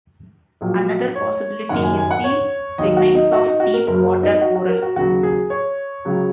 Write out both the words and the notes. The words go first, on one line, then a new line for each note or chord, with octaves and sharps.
Another possibility is the remains of deep water coral.
A#1 A#2 F#3
C#5
F#1 F#2 D#3 F#5
G#5
G#5
F#5
C#5
D#2 D#3 F#3 D#5
F#4
D#4
F#4
D#4
F#4
A#4
F#1 F#2 F#3 A#4
D#4
F#4
F#4
A#4
F#4
D#2 C#3 F#3 F#4
G#4
C#5
C#2 C#3 F#3